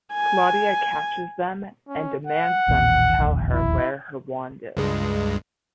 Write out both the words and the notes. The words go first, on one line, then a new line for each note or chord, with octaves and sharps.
Claudia catches them, and demands them to tell her where her wand is.
G#5
C#4
F#5
A1 D#2 A#2
E1 A#1 D#2
E4
C#2 G2 G#3